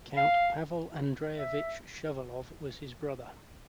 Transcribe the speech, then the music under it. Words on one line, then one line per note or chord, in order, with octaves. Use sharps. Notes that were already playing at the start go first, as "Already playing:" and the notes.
Count Pavel Andreyevich Shuvalov was his brother.
F5
E5